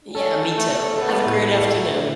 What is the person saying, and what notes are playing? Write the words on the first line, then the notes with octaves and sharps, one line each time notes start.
Yeah, me too. Have a great afternoon.
C#4 A4
A4
A3
A4
B3 A4
A2
A4
A2